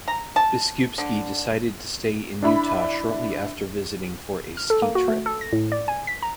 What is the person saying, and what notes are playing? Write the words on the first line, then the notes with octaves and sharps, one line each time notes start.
Biskupski decided to stay in Utah shortly after visiting for a ski trip.
A#5
A5
D3
D4 E4 B5
F6
A4
A#3
F#4
A3
A4
A#6
A2
D5
G#5
B6
A#5